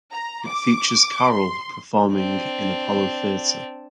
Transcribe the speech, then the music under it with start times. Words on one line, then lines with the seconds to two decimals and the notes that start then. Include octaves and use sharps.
It features Carroll performing in Apollo Theatre.
0.12 A#5
0.47 D6
1.31 C6
2.13 C4 D4